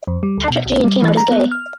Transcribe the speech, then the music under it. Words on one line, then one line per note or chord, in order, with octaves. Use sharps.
Patrik Jean came out as gay.
F2
G3
D2
B2
B1
G3
E3
A#5
B3
F6